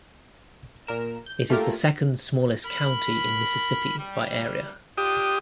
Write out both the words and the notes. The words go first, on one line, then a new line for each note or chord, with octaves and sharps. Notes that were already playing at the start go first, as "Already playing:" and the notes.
It is the second-smallest county in Mississippi by area.
A#2 A#4 E7
G6
A3 A#3 F4 G4 A4 A#4
A#4 B5
G3
D4 F4 G4 D#6